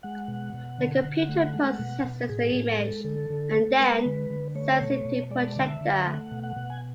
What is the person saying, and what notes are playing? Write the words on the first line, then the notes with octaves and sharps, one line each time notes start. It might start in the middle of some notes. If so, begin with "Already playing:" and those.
The computer processes the image and then sends it to a projector.
G#3 F#5
B2
B2
D3
D3
A3
G#3
B2
B2
A2 G#4
A2
A4
G#3
D3 A4
D3
A3
G#3 B4
D3
D3
A3 C#5
B2
B2
G#3 D5
D3 F#5
E5
D3
A3 F#5
B2
F#5
B2
G#5